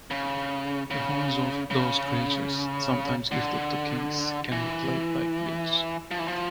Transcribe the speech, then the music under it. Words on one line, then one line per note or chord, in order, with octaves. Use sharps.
The horns of those creatures, sometimes gifted to kings, can be played like flutes.
C#3
C#3
C#3
D3
E3
F3
E3
F3